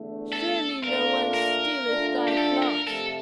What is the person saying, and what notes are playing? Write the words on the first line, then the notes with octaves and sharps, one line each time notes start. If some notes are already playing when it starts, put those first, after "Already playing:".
Surely no one stealeth thy flocks?
Already playing: E2 D3 A3
A4
A#2 A3 D4 F4 A#4
A#4
D3 A3 D4 F4
G4
A4
A#4
F2 C3 F3 A3 A4